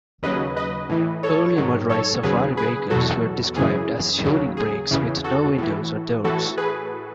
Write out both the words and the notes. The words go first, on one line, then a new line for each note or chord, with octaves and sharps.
Early motorized safari vehicles were described as shooting-brakes with no windows or doors.
D#2 C#3 F#3 B4 D#5
B4 D#5
A2 E3
A4 C#5
G#2 D#3 F#3
A4 C#5
D#2 C#3 F#3 G#4 B4
G#4 B4
E2 B2 F#3 F#4 A4
F#2 C#3 E3 G#4
D#2 C#3 F#3
G#4
E2 C#3 E3
F#4 A4
A2 E3
A2 E3 F#4 A4
G#4 B4